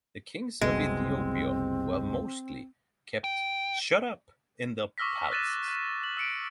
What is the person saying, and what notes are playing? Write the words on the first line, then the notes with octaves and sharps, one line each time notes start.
The kings of Ethiopia were mostly kept shut up in their palaces.
F#1 C2 B2 G#3 C4
G5
C#6 D6 E6 F6 A#6 B6
F#6 A6 D#7 E7
F#6
F#7
E6 B6 C#7 D7